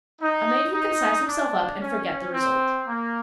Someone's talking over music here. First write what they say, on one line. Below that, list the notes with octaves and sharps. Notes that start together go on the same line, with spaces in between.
A man who can size himself up and forget the result.
D#4
D#4
D4
C#4
C4
A#3